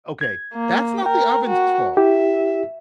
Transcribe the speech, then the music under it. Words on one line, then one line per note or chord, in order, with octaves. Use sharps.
okay, that's not the oven's fault.
G#6
A#3
A#4 G5
F#4
E4 G4 E5